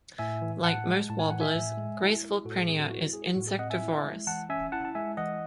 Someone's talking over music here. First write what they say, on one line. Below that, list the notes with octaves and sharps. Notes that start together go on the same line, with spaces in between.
Like most warblers, graceful prinia is insectivorous.
A2 E5 G#5
E3
A2 F#5 A5
G#3
A2 A5
G#5
E3 F#5
E5 G#5
A2
G#3
E4
G#3
A2 F#4 A4
G#4
C4 G#4
F#4 A4
E4 F#4
G#3 G#4
A2 F#4
G#4
C4 D#5 F#5
E5 G#5
E4
G#3
E3 F#5 A5
C#4 E5 G#5
E4 F#5 A5
A5
G#3 E5 G#5
E3 D#5 F#5